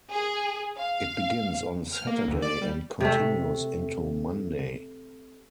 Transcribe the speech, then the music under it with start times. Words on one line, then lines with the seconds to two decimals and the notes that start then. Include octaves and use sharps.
It begins on Saturday and continues into Monday.
0.10 G#4
0.77 F5
1.93 F6
2.07 A#3
2.28 D2
2.42 D5
2.62 G3
3.00 C3 A3